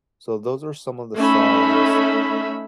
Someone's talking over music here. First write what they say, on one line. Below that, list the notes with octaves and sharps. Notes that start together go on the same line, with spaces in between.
So, those are some of the songs
A3 C#4 D#4 E5 B5